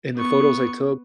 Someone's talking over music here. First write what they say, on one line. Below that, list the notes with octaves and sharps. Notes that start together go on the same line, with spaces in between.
and the photos I took
B3 C#6